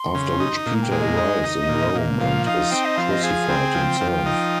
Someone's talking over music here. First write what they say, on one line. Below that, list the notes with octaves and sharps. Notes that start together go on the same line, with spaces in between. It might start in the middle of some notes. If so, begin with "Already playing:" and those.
After which Peter arrives in Rome and is crucified himself.
Already playing: C6
C#3
D#4
A#2 A#5
G5
G#3
D#5
D#4
D#4
A#2
A#2
F3 F5
D#4 F5
C4 G5
D#5
F3 F5
D#5
G#4 F5
C4 G5
F3
F3
D#4